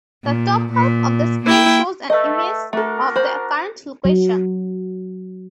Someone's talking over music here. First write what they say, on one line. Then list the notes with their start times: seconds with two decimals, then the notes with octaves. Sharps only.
The top half of the screen shows an image of the current location.
0.23 A#2
0.72 A#2
1.46 A#3 E4 G5 G6
2.10 A3 B4 D#5
2.73 A3 D4 F#4 A4 A#4
3.16 C5 B5
4.05 F#3